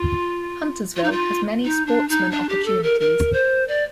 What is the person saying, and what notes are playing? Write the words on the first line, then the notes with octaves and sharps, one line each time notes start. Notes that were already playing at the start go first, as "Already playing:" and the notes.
Huntersville has many sportsman opportunities.
Already playing: F4
F4
D#4
F4
D#4
D4
D#4
D4
G4
A4
A#4
A#4
C5
D5